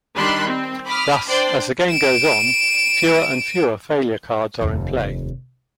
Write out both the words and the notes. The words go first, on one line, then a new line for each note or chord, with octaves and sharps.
Thus, as the game goes on, fewer and fewer failure cards are in play.
D#3 G3 D4 B5 C6 F#6
C4
B5 D6 D#6 F6
D4 C5 D5 G5 C6
D7 E7
F1 D#2